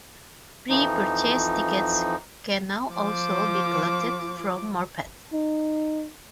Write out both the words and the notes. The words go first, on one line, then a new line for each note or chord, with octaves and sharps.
Pre-purchased tickets can now also be collected from Morpeth.
F2 E3 F3 D#4
F3 D6
D#4